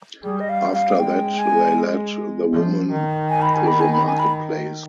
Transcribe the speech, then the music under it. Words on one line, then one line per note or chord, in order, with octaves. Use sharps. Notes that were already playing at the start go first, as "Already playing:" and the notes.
After that, they led the woman to the marketplace.
G3 G#4
D#5
F5
F5
G#3 G5
G#5
F3
D#3
G#5
B5
G#5
B5
G#5
B5
G#5
B5